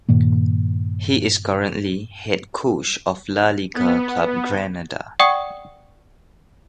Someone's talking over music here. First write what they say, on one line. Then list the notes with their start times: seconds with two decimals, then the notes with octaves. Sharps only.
He is currently head coach of La Liga club Granada.
0.09 G2 A#2 D#3 A#3
3.74 B3
5.19 D5 F#5 G5 C#6 D#6